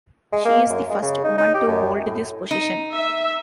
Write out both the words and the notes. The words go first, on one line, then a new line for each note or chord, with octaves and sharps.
She is the first woman to hold this position.
G#3
A#3
F#2
G#3
C#3
D#4
D#4
G4
F#2
A2
D#4
E5